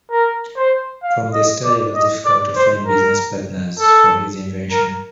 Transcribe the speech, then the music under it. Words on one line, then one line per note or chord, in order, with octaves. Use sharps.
From the start it was difficult to find business partners for his invention.
A#4
C5
F5
D#5
D5
D#5
D5
C5
A#4
A4
A#4